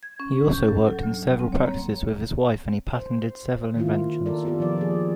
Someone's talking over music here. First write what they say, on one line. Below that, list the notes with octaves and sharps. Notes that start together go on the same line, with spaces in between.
He also worked in several practices with his wife, and he patented several inventions.
G#6
C#4
G#2
G6
A4
F#3
D2
G3
C4
C#5
A#3
C5
D#3 A#3 E4 F4
A4 A#4 D5
B3 F4 G4 A4
D#3 F3 D5
A#3 G#4